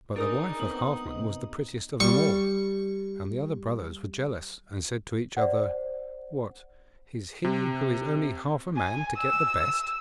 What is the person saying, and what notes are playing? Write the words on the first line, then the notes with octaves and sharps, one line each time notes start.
But the wife of Halfman was the prettiest of them all, and the other brothers were jealous and said to each other: 'What, is he who is only half a man to get the best?
D4 D#4 G#4 A#4 D#6
B3 C4 D#6 F#7
C3 D#4
G3 C#6
C5 D5 F#5
C3
G#5
E6